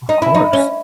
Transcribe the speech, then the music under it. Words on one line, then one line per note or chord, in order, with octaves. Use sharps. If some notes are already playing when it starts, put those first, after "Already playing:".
Of course.
D#4
E4
D#4
C#4